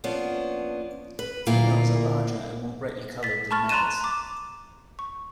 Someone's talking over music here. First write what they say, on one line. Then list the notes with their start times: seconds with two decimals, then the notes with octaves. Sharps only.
Females are larger and more brightly colored than males.
0.04 F3 A#3 B3 C#4 D4
1.19 B4
1.46 D2 A#2 A#3 E4 F5
3.23 A6 B6
3.51 A5 B5 C#6 F6 A6
3.69 A#5 C6 F#6 A6 D#7 E7
4.04 D6
4.99 C#6